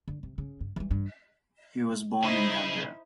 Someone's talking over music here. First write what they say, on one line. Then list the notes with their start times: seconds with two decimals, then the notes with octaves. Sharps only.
He was born in Tampere.
0.08 D3
0.23 C3
0.38 C#3
0.61 G2
0.76 E3 G3
0.91 G2
2.23 C#3 D#4 E4 G#4 C5